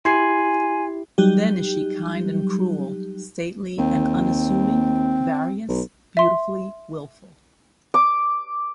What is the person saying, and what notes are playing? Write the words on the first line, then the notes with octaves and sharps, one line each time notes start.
Then is she kind and cruel, stately and unassuming, various, beautifully wilful.
E4 G4 G#5 C6 G#6 C7
F#3 G3 D#4 G4
D#2 C4
B1
E5 C6
D6